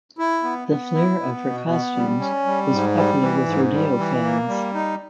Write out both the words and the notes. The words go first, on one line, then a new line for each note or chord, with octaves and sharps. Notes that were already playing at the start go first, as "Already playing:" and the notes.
The flair of her costumes was popular with rodeo fans.
E4
B3
B3
E4
B3
B2
B3
G3
C#4
G3
G#2
G3
E3
G#2
G3
E3
A#3
G3
D#4